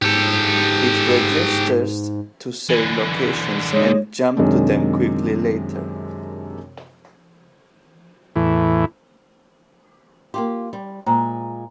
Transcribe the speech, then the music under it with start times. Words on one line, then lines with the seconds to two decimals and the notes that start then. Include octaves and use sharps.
It registers to save locations and jump to them quickly later.
0.02 G#2 G4 A4
2.69 D3 E3
3.73 G#3 D#4 C#5
4.37 F#2 C3 D#3 G#3 D4
8.36 E2 A2 E3
10.34 A#3 F4 G4 C6
10.73 G3
11.06 A#2 G#3 C5 G5 A#5